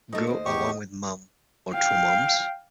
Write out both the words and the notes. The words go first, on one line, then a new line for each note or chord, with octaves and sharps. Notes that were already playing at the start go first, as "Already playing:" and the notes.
Go along with mum, or two mums?
A3 D#4 D#5
D#2 C5
E2 G4 C#6
F5 G5